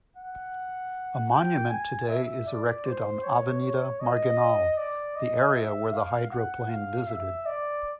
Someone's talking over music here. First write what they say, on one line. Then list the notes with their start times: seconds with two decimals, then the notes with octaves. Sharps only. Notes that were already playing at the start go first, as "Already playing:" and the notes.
A monument today is erected on Avenida Marginal, the area where the hydroplane visited.
0.17 F#5
1.32 G5
1.69 G#5
2.08 E5
2.47 D5
2.85 C5
3.23 C#5
3.62 C#5
4.00 D#5
4.77 D5
5.15 D#5
5.54 E5
5.92 F5
6.31 F#5
6.69 F5
7.07 E5
7.46 D5